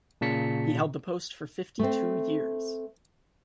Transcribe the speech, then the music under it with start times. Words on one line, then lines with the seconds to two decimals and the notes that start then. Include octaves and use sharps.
He held the post for fifty-two years.
0.21 A#2 C#3 A5 B6 C#7
1.79 A3 C4